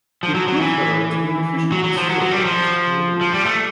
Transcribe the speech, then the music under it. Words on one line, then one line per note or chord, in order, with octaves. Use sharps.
It proved, however, to be inefficient and slow for active communities.
F3
F#3
F#3
E3
F#3
F#3
F3
F#3
F#3
G3
F#3
F3
F3
G3
A3